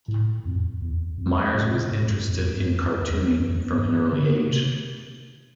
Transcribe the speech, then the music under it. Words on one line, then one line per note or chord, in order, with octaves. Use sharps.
Myers was interested in cartooning from an early age.
A2
F2
E2
F2
A2
B2
A2
G2
F2
G2
F2
E2
F2
G2
D3
C3